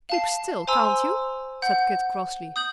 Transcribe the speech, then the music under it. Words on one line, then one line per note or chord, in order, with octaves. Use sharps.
"Keep still, can't you?" said Kit crossly.
F5 A5 C7
C5 G#5 A#5 C6 E6
F#5 G6
D#6 G6 F#7